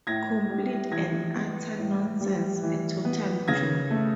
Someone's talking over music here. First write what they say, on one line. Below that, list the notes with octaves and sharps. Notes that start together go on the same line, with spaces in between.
Complete and utter nonsense, a total joke.
A2 G#6 A#6
G3
E3 G#6 A#6
B3
A2
G3
E3
B3
C#3 G#6 A#6
A3